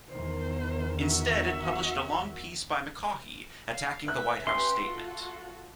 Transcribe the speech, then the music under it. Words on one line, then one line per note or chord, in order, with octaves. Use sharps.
Instead it published a long piece by McCaughey attacking the White House statement.
E2 D#3 C5
F#4 E5
F5
B4 E5 F#6 B6
C#4 G4 B4 E5 C6
F4 F#4 A4